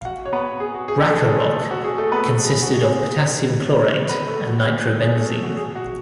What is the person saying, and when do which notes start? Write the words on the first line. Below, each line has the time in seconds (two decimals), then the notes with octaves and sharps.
"Rackarock" consisted of potassium chlorate and nitrobenzene.
0.01 F5
0.05 F#4 F#5
0.26 C#5
0.33 B3 B4
0.60 G#4
0.74 F#4
0.88 G#4
1.01 A3 A4
1.15 A4
1.28 G#4
1.40 A3 A4
1.71 F#4
1.84 G#4
1.98 A3 A4
2.12 B3 B4
2.26 A3 A4
2.44 G#4
2.62 F#4
2.81 G#4
4.09 B3 B4
4.28 A3 A4
4.47 F#4
4.64 G#4
5.01 G#4
5.15 A3 A4
5.43 F#4
5.57 G#4
5.75 F#4